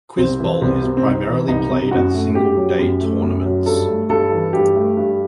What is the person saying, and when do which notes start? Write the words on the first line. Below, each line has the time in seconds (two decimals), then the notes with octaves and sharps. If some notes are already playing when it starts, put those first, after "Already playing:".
Quiz bowl is primarily played at single-day tournaments.
0.17 C2 C4
0.40 E3
0.61 C2 C4
0.83 C3
0.97 C4
1.05 C2 D#4
1.27 E3
1.48 C2 D#4
1.71 C3
1.91 F#2 F#4
2.14 A3
2.35 F#2 G4
2.57 F#3
2.79 F#2
3.01 A3
3.22 F#2
3.45 F#3
3.66 G2 A4
3.89 A3
4.09 G2 A4
4.32 E3
4.53 G2 G4
4.75 A3
4.97 G2